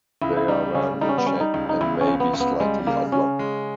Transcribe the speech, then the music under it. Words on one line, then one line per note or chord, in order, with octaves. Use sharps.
They are round in shape and may be slightly oblong.
C#2 E4
E4
G3 D#4
C#3 C#4
G3 D#4
C#4
B3
G3 C#4
D#4
C#2
D#4
C#2 E4
C#4
C#2
B3
C#2
B3
G3 G#3
C#3 A#3
C#3 C#4
G#3